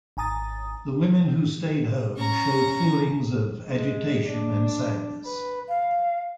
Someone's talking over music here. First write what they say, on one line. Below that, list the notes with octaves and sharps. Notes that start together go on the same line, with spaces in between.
The women who stayed home showed feelings of agitation and sadness.
G#1 G#5 A#5 D#6 A6
C#4 A#5 C#6
G#3
D4
B4
F5